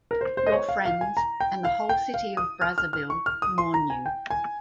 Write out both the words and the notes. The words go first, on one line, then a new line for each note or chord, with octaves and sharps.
Your friends and the whole city of Brazzaville mourn you.
A#4
C5
C5
D#5
C#5
F5
F5
G#5
A#5
G5
F5
G5
F5
D#6
F6
F6
F6
C#6
F6
D#6
C6
A#5
G#5
G5
G#5